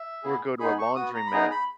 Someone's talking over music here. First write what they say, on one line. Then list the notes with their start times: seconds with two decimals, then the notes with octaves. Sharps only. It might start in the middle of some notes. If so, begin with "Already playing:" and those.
Or go to a laundromat,
Already playing: E5
0.23 B3 E4 G#4
0.59 B3 D#4 G#4 B5
0.79 C#6
0.96 B3 F#4 D#6
1.15 A#5
1.27 B5
1.32 B3 D#4 G#4 A#5
1.51 B5